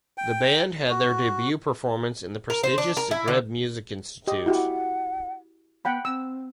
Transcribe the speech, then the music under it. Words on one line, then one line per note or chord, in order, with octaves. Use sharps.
The band had their debut performance in the prestigious Zagreb Music Institute.
G5
F#4
A#4
C5
D4
A#4
E4
D3
G4 D#5
E4 F#4 G4 F#5
B3 F#5 G5 B5
C4 E6